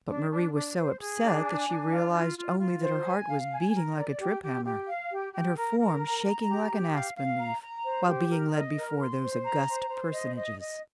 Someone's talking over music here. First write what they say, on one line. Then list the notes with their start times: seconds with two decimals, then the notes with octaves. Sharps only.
But Marie was so upset that she realized only that her heart was beating like a trip-hammer, and her form shaking like an aspen leaf, while being led before those august personages.
0.08 D4
0.31 D4
0.53 D4
0.76 C5
1.00 G#4
1.23 D4
1.45 G#5
1.68 D4
1.91 F4
2.13 F4
2.37 F4
2.60 F4
2.82 C5
3.05 G#5
3.27 F5
3.51 G#5
3.74 A#4
3.96 D5
4.19 G4
4.42 G4
4.64 G4
4.87 F5
5.11 G4
5.34 G4
5.57 A#4
5.79 A#4
6.02 A#5
6.25 A#5
6.48 G4
6.70 G4
6.93 F5
7.16 F5
7.40 A#5
7.61 A#5
7.84 C5
8.07 G4
8.30 A#4
8.53 D#5
8.77 A#4
9.00 C6
9.22 C5
9.45 A#5
9.68 C5
9.90 C5
10.13 D#5
10.36 D#5
10.59 D#5